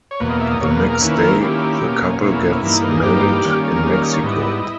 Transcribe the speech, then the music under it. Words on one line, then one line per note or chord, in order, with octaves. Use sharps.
The next day, the couple gets married in Mexico.
C#5
E2 B2 A#3 B4
D#5
E5
D#5
E2 B2 A#3 C#5
B4
G#4
A#4
D#3 A#3 C#4 E4 B4
A#4
D#3 A#3 C#4 E4 G4
B2 A#3 C#4
B2 A#3 C#4 E4
G2 E3 A#3 D#4
G#4
G2 E3 A#3 D#4 G4
D#3 G3 A#3 C#4
A#4
D#3 G3 A#3 C#4 G#4
A#4
D#5
C#5
G#2 G3 B3 E4 D#5
E4